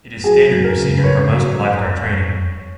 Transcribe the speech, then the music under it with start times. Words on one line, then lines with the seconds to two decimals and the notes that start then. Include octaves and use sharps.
It is standard procedure for most lifeguard training.
0.23 F#3 G#4
0.50 F#3
0.64 A#4
0.77 C#3
0.98 B4
1.03 C#3 C#5
1.31 F#3